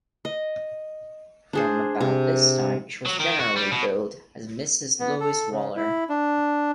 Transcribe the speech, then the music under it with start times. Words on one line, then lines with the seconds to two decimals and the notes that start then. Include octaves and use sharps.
From about this time she was generally billed as "Mrs Lewis Waller".
0.25 D#5
1.53 D4 G#4 C5
2.01 C3
3.05 F#3
3.20 D#3
3.39 F#4
3.56 G3
3.71 B2
5.00 B3
5.20 A4
5.52 C#3
5.76 E4
6.09 D4